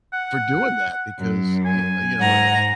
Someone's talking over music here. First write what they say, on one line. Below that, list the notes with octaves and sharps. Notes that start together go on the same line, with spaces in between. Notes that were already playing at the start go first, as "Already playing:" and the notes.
for doing that because, uh uh you know a a
F#5
F#2
G#5
G#2 F#5 A#5